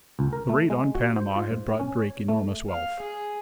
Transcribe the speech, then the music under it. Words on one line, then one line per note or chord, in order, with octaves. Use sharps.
The raid on Panama had brought Drake enormous wealth.
C#2
A#4
A3
G#3
F#4
C5
F4
G#2
C#4
C#5
A3
F5
G#4